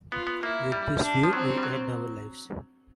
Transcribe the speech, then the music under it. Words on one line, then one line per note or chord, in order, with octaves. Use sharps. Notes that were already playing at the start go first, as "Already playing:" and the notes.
With this view we end our lives.
B3 F4
B3
A#3 E4
G3
D4
F3
F#3 C4
G3
F#3